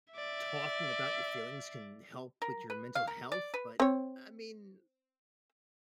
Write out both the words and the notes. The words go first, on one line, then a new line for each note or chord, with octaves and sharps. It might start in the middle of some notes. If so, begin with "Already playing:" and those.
talking about your feelings can help with your mental health, but, I mean,
D5 E5
A#4
B4
F5
A#4
D5
B4
C4 C#5